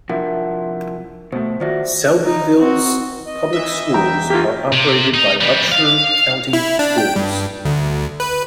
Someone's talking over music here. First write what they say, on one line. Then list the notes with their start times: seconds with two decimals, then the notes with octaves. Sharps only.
Selbyville's public schools are operated by Upshur County Schools.
0.09 C3 F3 D4 E4 A#4 F#5
1.32 B2 A3 C5
1.60 D#3 F4 F#4 C5 D5 E5
2.24 D#4
2.58 C4 F#4
3.26 D#5
3.53 E3 E5
3.94 E2 G5 A#5
4.30 A#3 F4 G4
4.72 C3
5.14 D#4
5.41 E3 G3
5.72 F5
6.53 E4
6.79 D4
6.98 G5
7.16 G2
7.65 D2
8.20 B4